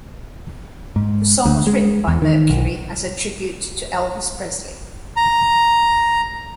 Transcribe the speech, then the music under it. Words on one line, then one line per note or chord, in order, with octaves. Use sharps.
The song was written by Mercury as a tribute to Elvis Presley.
G#2
D2
G#3
E2
D#3
B1
A#5